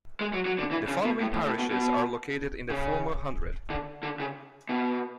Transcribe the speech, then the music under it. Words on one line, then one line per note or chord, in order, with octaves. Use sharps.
The following parishes are located in the former hundred.
G#3
F#3
F#3
D3
E3
C#3
B2
A2
A2
A2
B2
B2
C#3
D3
D3
C#3
B2